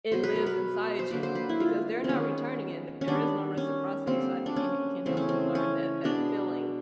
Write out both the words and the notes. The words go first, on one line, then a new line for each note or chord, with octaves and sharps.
it lives inside you because they're not returning it, and there is no reciprocity, so I think it ca can help you learn that that feeling
B2 F#3 B3 C5
B4
A#4
B4
C5
D3 F#3 A#3 B4
C5
B4
E4
F4
C4
D#3 G#3 B3 C#4
C#4
D#3 G3 B3 D4
C#4
D3 G3 A#3 C4
D4
C#4
C#3 E3 A3 C4
C#4
C4
C#4
B2 G#3 B3 D4